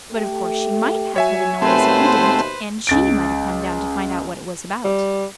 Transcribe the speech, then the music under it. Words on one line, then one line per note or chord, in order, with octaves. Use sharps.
But of course she might have heard a noise if you didn't, and she might have come down to find out what it was about.
A3 G4
F#3 C#5 E5 G#5
D#2 B2 A3 C4 B4 C5
C#2 A6 D7
G3